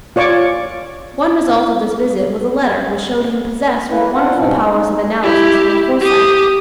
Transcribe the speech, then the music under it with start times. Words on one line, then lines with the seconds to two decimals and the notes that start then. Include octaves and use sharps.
One result of this visit was a letter which showed him possessed with wonderful powers of analysis and foresight.
0.16 F4 C#5 D5 C#6 D6
3.89 A#3 E4 B4
4.13 C4 D4 F4 F#5
4.36 G#2 B2 G3 C4 C#4
4.63 D#4
4.84 D#4
5.23 E4 G4
6.01 G4 D#6